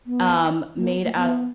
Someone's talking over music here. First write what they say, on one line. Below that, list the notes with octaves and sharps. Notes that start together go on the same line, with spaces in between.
Um, made out
B3
A#3
B3
A#3
B3